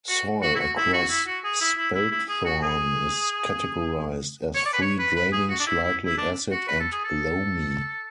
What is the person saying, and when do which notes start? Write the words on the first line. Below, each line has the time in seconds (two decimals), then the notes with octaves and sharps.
Soil across Spelthorne is categorised as "free draining slightly acid and loamy".
0.09 F#4
0.42 F#4
0.56 E4
0.59 F#4
0.77 E4
0.93 F#4
1.10 E4
1.27 F#4
1.44 G#4
1.61 E4
1.78 E4
1.95 E4
2.11 E4
2.28 G#4
2.45 F#4
2.63 G#4
4.55 C#5
4.65 D5
4.73 B4
4.82 C#5
4.99 B4
5.16 B4
5.33 G#4
5.49 F#4
5.59 D4
5.67 E4
5.83 E4
6.06 E4
6.17 D4
6.51 F#4
6.68 B4
6.80 A4
6.92 G#4
7.04 A4